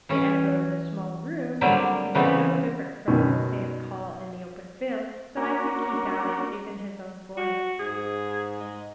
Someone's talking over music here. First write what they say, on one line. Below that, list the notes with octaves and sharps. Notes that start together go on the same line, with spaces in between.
The echo of the small room made it seem so different from the same call in the open fields that I think he doubted even his own voice.
E3 C#4
D3 F#3 G3 A#3 C4 D5
C#3 E3 G3 A3 B3 C4
F#2 B2 D#3
A#3 C#4 D4 F#4 A#4
F#4
G#2 G#4
G#3